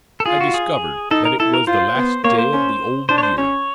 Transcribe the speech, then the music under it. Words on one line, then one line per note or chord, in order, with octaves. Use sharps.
I discovered that it was the last day of the old year.
A4
F4 G#4
F#4
G#4
D#4 A4
A#4
E4 A4
A#4
F4 C5
B3
A#3 C#5
C5
C#4
D4 C5
C#5
C5
C#4 C#5